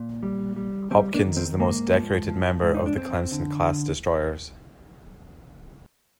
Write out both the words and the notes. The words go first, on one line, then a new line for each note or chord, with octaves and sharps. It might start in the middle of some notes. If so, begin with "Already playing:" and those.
"Hopkins" is the most decorated member of the Clemson-class destroyers.
Already playing: A#2
G3
G3
G3 C4
A#3 D4
D#3
C4
G#2 A#3
F3
F3
G#2
D#4
D4
F2 C4
D3